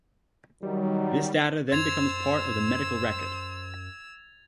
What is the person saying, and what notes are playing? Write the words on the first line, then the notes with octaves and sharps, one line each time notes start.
This data then becomes part of the medical record.
D#3 F#3 G3
F#2 C5 E6 G#6 A6 F7